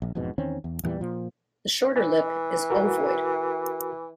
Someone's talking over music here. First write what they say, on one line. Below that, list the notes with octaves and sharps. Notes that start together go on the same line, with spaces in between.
The shorter lip is ovoid.
A#1
E1 F2 G#2 B2
E2 D#3 C4 C#4
E2
E2 A#2 E3 G3
A#2 F3
E3
F#4 A#4